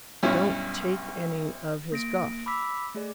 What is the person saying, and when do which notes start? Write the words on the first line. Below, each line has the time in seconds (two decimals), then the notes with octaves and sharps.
"Don't take any of his guff!"
0.23 B1 G2 C#4 E4 C#5
1.92 A#3 A#6 D7
2.46 B5 D6 E6 B6
2.95 A3 G#4 D5